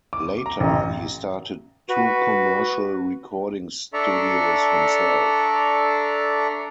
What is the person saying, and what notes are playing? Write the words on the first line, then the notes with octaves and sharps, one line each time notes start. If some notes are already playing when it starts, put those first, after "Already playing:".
Later, he started two commercial recording studios himself.
D6
A#5
A1
F#4 B4
D4 A4 D5 E5 A#5 C#6